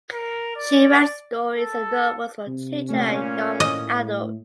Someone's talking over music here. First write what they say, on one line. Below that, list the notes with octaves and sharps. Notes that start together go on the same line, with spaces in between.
She writes stories and novels for children and young adults.
A#4
D5
A4
C3
A#2 A3 C#4
A2 D#5